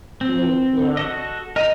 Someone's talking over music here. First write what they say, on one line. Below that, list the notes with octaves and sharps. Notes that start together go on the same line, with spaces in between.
Mm, yeah.
C4
F#4 A4 D#5
A#4 D#5 A#5 D#7